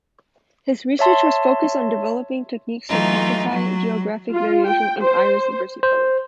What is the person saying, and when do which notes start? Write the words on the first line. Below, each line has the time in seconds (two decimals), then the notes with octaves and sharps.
His research was focused on developing techniques to quantify geographic variation in "Iris versicolor".
0.99 C#5 E5 A5 C6
2.88 E3 F#3 A3 D#4 F4
3.49 F#3
4.34 F4
4.68 G5
5.01 C5
5.83 C5